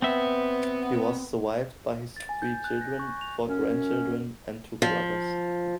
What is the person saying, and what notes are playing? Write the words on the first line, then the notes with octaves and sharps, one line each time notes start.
He was survived by his three children, four grandchildren, and two brothers.
B3 C4 E5
A6
G#5
G6
F#6
A#6
C#6
F7
F#2 C#4
F3